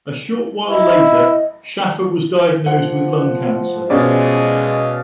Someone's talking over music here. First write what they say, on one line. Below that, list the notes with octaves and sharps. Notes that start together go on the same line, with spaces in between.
A short while later, Shaffer was diagnosed with lung cancer.
E4 D#5
F3 F#5
B2 G#3 C#4 D5 D#5 F5